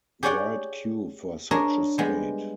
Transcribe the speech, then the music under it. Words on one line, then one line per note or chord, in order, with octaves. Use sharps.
Write "q" for such a state.
G4 G#4 C#5 D5 F#5 G5
D4 G#4 A#4 C#5 D#5
G3 G#3 B3